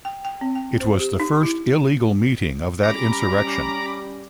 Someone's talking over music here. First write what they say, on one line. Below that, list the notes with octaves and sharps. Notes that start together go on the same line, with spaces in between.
It was the first illegal meeting of that insurrection.
G5
G5
C4
G5
C5
G4
D#4
E4
G3 C#4 A#5 B5 D6